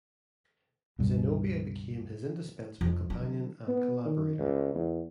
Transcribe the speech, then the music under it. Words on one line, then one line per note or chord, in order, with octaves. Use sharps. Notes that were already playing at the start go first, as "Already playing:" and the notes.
Zenobia became his indispensable companion and collaborator.
C#2 G2 B2
F2
D3 F#3
B3
D#3
C#2
E2